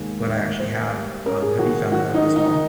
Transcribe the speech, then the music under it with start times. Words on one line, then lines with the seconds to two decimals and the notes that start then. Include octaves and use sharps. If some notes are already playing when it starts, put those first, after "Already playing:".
what I actually have, um, have you found that out as well?
Already playing: D#2 G#3
0.27 D#2
0.60 A#3 C5
0.93 G3
1.26 C#4 A#4
1.42 G#4
1.59 D#3 F#4
1.92 F#3 F#4
2.14 D#4
2.25 D#3
2.36 D#4